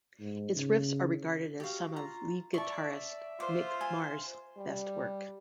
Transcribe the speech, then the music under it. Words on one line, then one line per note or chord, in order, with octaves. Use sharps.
Its riffs are regarded as some of lead guitarist Mick Mars' best work.
G#2
C#3
F#4 G4 F5
F4 A#5
D5 E5 A5 C#6
F4 C5 D6
G#5
G3